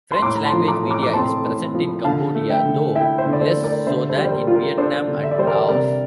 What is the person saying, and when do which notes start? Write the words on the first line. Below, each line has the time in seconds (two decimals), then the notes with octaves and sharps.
French-language media is present in Cambodia, though less so than in Vietnam and Laos.
0.12 C6
0.22 A2 A#5 D6
0.37 A#5
0.45 A5 C6
0.53 F3
0.68 A#5 D6
0.83 A2
0.91 A#5 D6
1.03 D6
1.13 C4 A5 C6
1.44 A2
1.74 F3
2.04 D3 F5 A5
2.35 A3
2.50 E5 G5
2.65 D3
2.95 E4 E5 G5
3.18 C5 E5
3.26 D3
3.33 D5
3.41 A4 C5
3.56 A3
3.64 A#4 D5
3.86 D3 C5 E5
4.09 A4 C5
4.17 G3 D5
4.25 C5
4.32 A#4
4.47 F4
4.55 A#4
4.77 D4 A4 C5
5.08 D3
5.23 E5
5.31 D5
5.38 G3 C5
5.47 A#4 D5
5.69 C3 A#4 D5